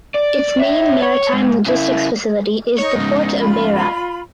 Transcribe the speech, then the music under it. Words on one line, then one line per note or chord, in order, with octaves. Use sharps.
Its main maritime logistics facility is the port of Beira.
D5
C#5 E5
C#5
G#2
C#3 E4
D#4 C#5
G#2 C#3
F4 B5